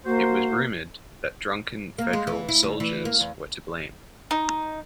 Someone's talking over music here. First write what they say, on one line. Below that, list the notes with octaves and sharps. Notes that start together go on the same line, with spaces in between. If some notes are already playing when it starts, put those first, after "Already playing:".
It was rumored that drunken federal soldiers were to blame.
A#3 F#4 C5
A#3
G#3
E3
E4
D2
E3
A#3
E2
D#4